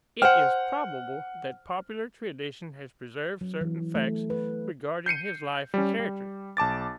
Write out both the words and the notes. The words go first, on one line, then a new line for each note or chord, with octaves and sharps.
It is probable that popular tradition has preserved certain facts regarding his life and character.
C5 F#5 G5 F6
F#3
E3
A3
B4
G6 C7 C#7 D#7
G3 C#4
G3
B1 A5 D6 A6